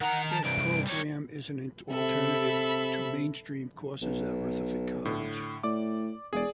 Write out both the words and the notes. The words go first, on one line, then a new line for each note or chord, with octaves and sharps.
It program is an alternative to mainstream courses at Rutherford College.
D#3 F#5 A#5
A5
C2 G2 D7
G3 C#5
C3 A4 E5 B5
B1
A2 D3
A2 D5 D6
E1 G#4 D5